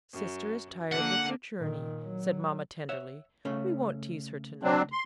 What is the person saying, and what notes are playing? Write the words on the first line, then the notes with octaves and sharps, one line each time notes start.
"Sister is tired with her journey," said mamma tenderly; "we won't tease her to-night."
F#2
D3 A#3 F#5
A#2 D#3
F#3
C#5 E5 F#5
C#3 A3 C#4
F#3 C4 D4
C6